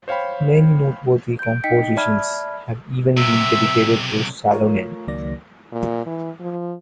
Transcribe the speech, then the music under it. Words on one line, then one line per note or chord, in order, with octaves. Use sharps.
Many noteworthy compositions have even been dedicated to Salonen.
C5 C#5 F5 G5 B5
G6 D7
D#4 D#5 G5 B6 C#7 D7
D5 E5 A5 B5 F6 G#6
B1 C3 E5
A3 F4 A#4 C#5
C#2 D#3 F#3 A#3 D5 A#6
A#2
E3
F3